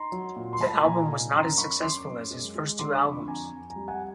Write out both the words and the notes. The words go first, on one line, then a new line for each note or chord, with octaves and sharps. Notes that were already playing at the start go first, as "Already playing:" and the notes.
The album was not as successful as his first two albums.
Already playing: D#4 A#5 C6
F#3
A#2
C6
A#2 A5 B5
A#2 G#5 A#5
D#4
F#2 A#5 C6
F#2 B5 C#6
F#2 C6 D6
F#2
G#3
G#3
D3 C6 D6
D6
F2 B5 C#6
F2 G#5 A#5
F2
G#5 A#5
G3
F#5 G#5